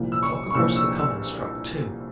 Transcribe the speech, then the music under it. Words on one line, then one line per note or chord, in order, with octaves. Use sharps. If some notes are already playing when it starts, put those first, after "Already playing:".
The clock across the common struck two.
Already playing: C2 A#2 F3
E6
C#6
C#6
C2 A#2 F3 E6
E6
E6